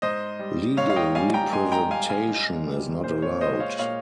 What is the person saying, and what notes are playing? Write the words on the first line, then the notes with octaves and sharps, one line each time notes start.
Legal representation is not allowed.
G#2 C5 D#5
G3
G#2 C#5 F5
F5
D#5 G5
G3 F5 G#5
G5 A#5
G#2 G#5 C6
G5 A#5
G3 F5 G#5
F5 G#5
G#2
G3
A#2 C5
C#5
G#3 C5 D#5
C#5 F5
A#2 C#5 F5